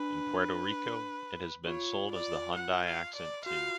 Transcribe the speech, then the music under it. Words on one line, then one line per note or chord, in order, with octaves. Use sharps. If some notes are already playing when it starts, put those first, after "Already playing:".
In Puerto Rico, it has been sold as the Hyundai Accent too.
Already playing: D4 B4
F4 C#5
D5
F#5
F5
D5
F#4 F5
F4